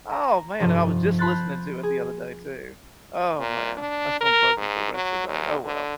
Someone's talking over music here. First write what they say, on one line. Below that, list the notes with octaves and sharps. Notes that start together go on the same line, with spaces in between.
Oh, man. And I was just listening to it the other day too. Oh, man. That's gonna bug me for the rest of the day. Oh, well.
A#5
F1 G2 F3 A4 D#7
A5 B5 C6 F#6 G6 A6
G#4
A#2
D4
A#4
G#2
F#3
D#2
D3